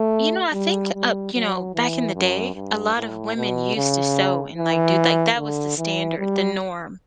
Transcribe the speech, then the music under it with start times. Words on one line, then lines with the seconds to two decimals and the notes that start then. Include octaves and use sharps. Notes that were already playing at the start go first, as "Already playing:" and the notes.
You know, I think, uh, you know, back in the day, a lot of women used to sew and, like, do like, that was the standard, the norm,
Already playing: A3
0.53 G3
0.94 G3
1.34 F#3
1.74 E3
2.15 F#2
2.55 G2
2.96 A2
3.36 B2
3.76 C#3
4.57 E3
5.37 D3
5.78 E3
6.18 G3